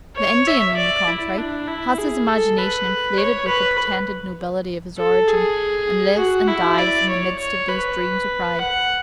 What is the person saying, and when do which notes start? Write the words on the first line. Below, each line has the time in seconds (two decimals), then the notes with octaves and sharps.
The Indian, on the contrary, has his imagination inflated with the pretended nobility of his origin, and lives and dies in the midst of these dreams of pride.
0.17 C#5
0.47 E5
0.77 D5
1.08 E4
1.38 D4
1.68 E4
1.98 G#4
2.28 A4
2.58 B4
3.18 C#5
3.48 B4
4.99 A4
5.29 G#4
6.19 F#4
6.48 E4
6.78 D5
7.09 C#5
7.39 C#5
7.69 B4
8.59 F#5